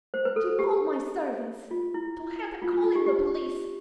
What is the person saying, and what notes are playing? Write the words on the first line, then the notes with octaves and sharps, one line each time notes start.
"To call my servants--to have them call in the police."
C5
B4
A4
G4
F4
E4
F4
F4
F4
G4
G4